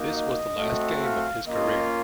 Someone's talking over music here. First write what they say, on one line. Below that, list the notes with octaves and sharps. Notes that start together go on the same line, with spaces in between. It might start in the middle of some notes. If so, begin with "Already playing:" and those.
This was the last game of his career.
Already playing: A#3 D#4 F#4
D#5
A3 C4 F#4
F5
A#3 C#4 F4 D#5